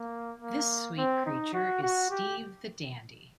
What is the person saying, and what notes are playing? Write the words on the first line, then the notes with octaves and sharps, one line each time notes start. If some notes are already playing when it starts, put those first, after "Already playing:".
This sweet creature is Steve the Dandy.
Already playing: A#3
A#3
C4
D#4
F#4
F#4
G4